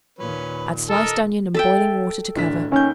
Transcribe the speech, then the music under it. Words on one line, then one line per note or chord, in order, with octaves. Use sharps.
Add sliced onion and boiling water to cover.
D#2 A#2 C#4 B4
A4 A#4 D#5
A4 E5 G5
D1 D4 B6
D#2 D#3 C#4 G6